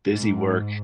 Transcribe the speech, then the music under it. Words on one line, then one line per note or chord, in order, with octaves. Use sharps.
busy work
G#2